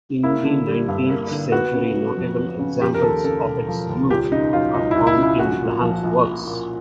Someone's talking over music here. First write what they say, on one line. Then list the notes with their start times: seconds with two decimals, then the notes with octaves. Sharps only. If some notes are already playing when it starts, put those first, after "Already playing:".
In the nineteenth century, notable examples of its use are found in Brahms's works.
0.23 A#3 E4
0.45 D3
0.67 G3
0.88 G2
1.10 A#3
1.31 D3
1.52 B3 F#4
1.73 C#3
1.95 F#3
2.17 F2
2.39 B3
2.59 C#3
2.81 F3 G4
2.94 A#4
3.03 D#2 A4
3.24 C#3 A4
3.46 E1
3.68 F3
3.89 D#2
4.10 C#2 G4
4.32 C#3 D#4
4.53 F#3 F4
4.74 C#2 D#4
4.91 E4
4.96 C#2
5.07 E4
5.18 C#3
5.23 E4
5.39 A#1 F#4
5.61 A#2
5.82 F3
6.04 A#1
6.25 A#1
6.46 A#2